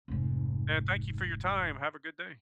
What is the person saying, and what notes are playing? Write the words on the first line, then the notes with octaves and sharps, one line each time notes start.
And thank you for your time. Have a good day.
F1 G#2